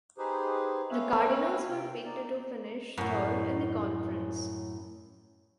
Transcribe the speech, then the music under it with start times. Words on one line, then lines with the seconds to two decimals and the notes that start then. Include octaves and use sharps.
The Cardinals were picked to finish third in the conference.
0.18 D#4 G4 G#4 B4 C5
0.90 C4 B4 C#5 E5 F5 G#5
1.68 C3 G5
2.05 D#4 D5
2.97 F#2 A2